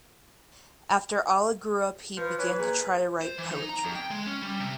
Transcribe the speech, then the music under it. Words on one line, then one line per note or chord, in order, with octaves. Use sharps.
After Ala grew up he began to try to write poetry.
F3 B4
E3 B4 C#5
A#2 G#4
C5
E3
D#4
A#5
F2
G5
G#3
C#4
G3
C3